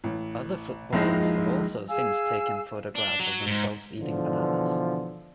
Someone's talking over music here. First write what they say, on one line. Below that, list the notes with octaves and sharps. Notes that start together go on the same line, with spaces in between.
Other footballers have also since taken photographs of themselves eating bananas.
A1
F#1 C#2 F3 G#3 D#4 E4
G#4 F5 G#5 E6
D4
F#3
G#2
B2 D3 E3 F3